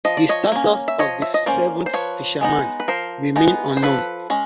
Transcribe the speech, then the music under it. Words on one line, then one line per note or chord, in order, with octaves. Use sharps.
The status of the seventh fisherman remained unknown.
F3 D#5
D5
C#5 D#5
A#3 C#4
E5
F3 C#5 D#5
E5
D#5
A#3 C#4 C5 D5
C5
F3 B4 C#5
G#3 B3 D#4
B4
F3 A#4 C5
G#3 B3 D#4
C5
F3 A4 B4
G#3 C#4